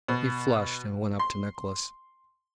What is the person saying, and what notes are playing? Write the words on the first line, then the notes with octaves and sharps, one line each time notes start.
He flushed and went up to Nicholas.
B2
C6